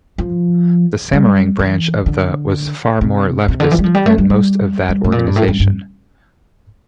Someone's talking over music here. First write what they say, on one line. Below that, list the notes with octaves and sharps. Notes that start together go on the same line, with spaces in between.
The Semarang branch of the was far more leftist than most of that organization.
F3
G3
E3
D3
C3
C3
D3
E3
G3
F3
G3
A3
G3
G3
G3
A2
A#2
G2
A2
G2
G2